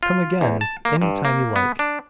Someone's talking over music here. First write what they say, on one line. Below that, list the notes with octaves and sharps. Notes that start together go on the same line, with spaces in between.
"Come again any time you like."
F4
E2
A5
A#3
G2
A#3
B3
D4